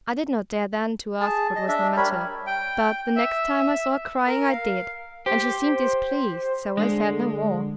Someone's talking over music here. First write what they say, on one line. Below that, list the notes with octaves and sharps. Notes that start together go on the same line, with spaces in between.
I did not dare then to ask what was the matter; but, the next time I saw her crying, I did, and she seemed displeased;--so I said no more.
G#4 A5
D#5
D4 E5
G3 A#4 C#5 B5
G5
E5
A#4
F5
G4 C5
D3 G#3